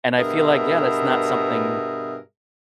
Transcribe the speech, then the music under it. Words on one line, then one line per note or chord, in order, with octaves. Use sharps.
and I feel like, yeah, that's not something
G2 B2 G#4 A#4 E5